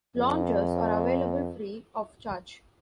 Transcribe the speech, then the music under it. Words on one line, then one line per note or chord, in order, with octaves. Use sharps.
Loungers are available free of charge.
F2